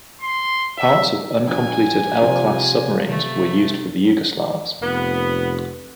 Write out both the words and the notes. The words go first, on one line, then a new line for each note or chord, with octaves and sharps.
Parts of uncompleted L-class submarines were used for the Yugoslav s.
C6
E5
A#1 G#5
C3 F3
A3
F1 B3